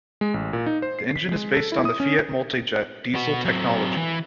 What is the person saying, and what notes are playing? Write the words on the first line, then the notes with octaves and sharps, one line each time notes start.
The engine is based on the Fiat Multijet diesel technology.
G#3
A1
A#2
D#4
C5
C7
B6
G#3
A4
E4
D#6
C#4
B3 F#4
F#3 C4
E3